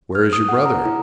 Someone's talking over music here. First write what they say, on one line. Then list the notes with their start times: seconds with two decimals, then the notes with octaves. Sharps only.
"Where is your brother?"
0.15 F6
0.33 D#6
0.49 F#5
0.66 A#5
0.85 E4